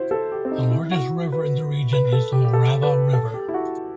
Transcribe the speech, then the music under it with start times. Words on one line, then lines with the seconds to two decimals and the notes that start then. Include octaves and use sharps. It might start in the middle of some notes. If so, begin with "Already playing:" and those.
The largest river of the region is the Morava river.
Already playing: E4 F#4 C5
0.11 A4
0.32 G4
0.45 C4
0.52 D#4
0.71 E4
0.91 F#4
1.32 B4
1.93 B4
2.13 A4
2.33 G4
2.45 G4
2.53 A4
2.83 B4
3.13 A4
3.34 G4
3.49 E4
3.54 F#4